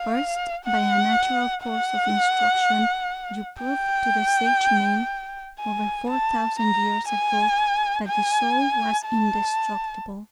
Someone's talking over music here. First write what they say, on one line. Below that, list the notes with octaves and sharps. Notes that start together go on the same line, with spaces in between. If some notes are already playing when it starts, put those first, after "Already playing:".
First, by a natural course of instruction, you proved to the Sagemen over four thousand years ago that the soul was indestructible.
Already playing: F5
F#5
F#5
G5
G#5
A5
A#5
G#5
G#5
A5